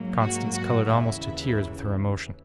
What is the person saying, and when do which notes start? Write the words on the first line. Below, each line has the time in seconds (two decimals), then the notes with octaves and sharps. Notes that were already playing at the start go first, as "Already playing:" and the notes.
Constance coloured almost to tears with her emotion.
Already playing: G#2 F#3 A#3
0.21 F#4 F#5
0.54 F#4 F#5
0.87 D#2 C#3 E3 E4 E5
1.20 E4 E5